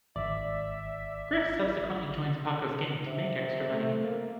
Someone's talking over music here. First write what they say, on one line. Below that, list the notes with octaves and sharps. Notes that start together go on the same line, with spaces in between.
Griff subsequently joins Paco's gang to make extra money.
G#1 D5 E5
C3
A3
A#3